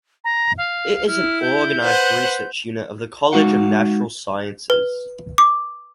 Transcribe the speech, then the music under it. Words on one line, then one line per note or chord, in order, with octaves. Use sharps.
It is an organized research unit of the College of Natural Sciences.
A#5
F5
E4 F6
G6
B4 C5 F#5
G#3 D#4 F#4 F5 F#5
B4
D6